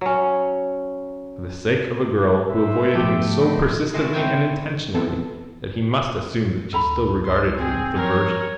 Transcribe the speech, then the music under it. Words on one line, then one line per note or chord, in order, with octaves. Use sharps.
For the sake of a girl who avoided him so persistently and intentionally that he must assume that she still regarded him with aversion.
F#3 C#4
B4 C5 E5
G#2 F3 A3 B3 G4
C4 D#5 B5
A2 G#3 E4 F#4 D5
A2 C4 C#5 G5 G#5
E3 B3 C4 A4
D2 A4 A#5 B5
C#2 C6
C4 G#4
F3 A#4 C#5